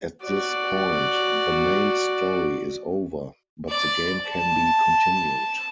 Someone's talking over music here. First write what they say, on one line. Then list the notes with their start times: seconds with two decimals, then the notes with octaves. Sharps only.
At this point, the main story is over, but the game can be continued.
0.24 F#4 D5
3.70 D5
4.29 A5